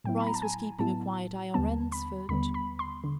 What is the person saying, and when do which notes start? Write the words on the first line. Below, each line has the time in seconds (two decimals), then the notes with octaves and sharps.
Bryce was keeping a quiet eye on Ransford.
0.04 A2 F#3 B3 E4 G5
0.20 B5
0.27 A#5
0.34 A5
0.42 G#5
0.79 A2 F#3 B3 E4 A5
1.54 D#2 D3 G3 B3 A5
1.92 B5
2.29 D#2 D3 G3 B3 B5
2.54 B5
2.79 C6
3.04 D3